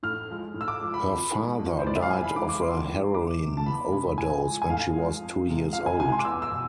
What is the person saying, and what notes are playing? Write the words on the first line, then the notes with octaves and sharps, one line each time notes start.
Her father died of a heroin overdose when she was two years old.
A2 F6
F3 G#3
A2
E6
D6
F3 G#3
B5
F2
E3 G#3
F2
C5
E3 G#3 D5
E5
F5
F2 G#5
B5
E3 G#3 D6
D6
F2 C6
E3 G#3
E2 D6
C3 G#3
A5
E2 B5
C3 G#3
A2 G#5
F3 G#3
G#5
A2 F5
F3 G#3
F2
C3 G#3
F2 F5
G#5
C3 G#3 G#5
C6
D6
E2 E6
E6
B2